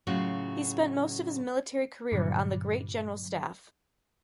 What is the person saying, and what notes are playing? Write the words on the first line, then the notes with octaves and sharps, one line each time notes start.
He spent most of his military career on the Great General Staff.
A2 C#3 F#3 F4 F#4
G2 A#2 D3 F#3